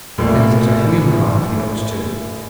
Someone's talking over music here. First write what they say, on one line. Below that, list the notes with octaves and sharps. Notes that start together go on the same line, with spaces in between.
Then it is a human life he looks to!
A1 A2 F3 A#3 D4